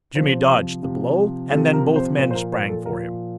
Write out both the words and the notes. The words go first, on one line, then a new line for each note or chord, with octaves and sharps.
Jimmy dodged the blow and then both men sprang for him.
C3 F3 C5
C3 F3
C3 F3 A4
A#4
C5
A#2 F3 C5
C5
A#4
C5
A#4
A4
A#2 F3 A#4